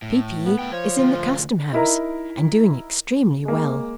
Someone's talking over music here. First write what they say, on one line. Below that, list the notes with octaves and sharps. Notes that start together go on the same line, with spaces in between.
Peepy is in the Custom House, and doing extremely well.
A2
B3
A3 G5
F3 C#5
D2 F4
D#4 E4 A#4 A#5
G#3 A#3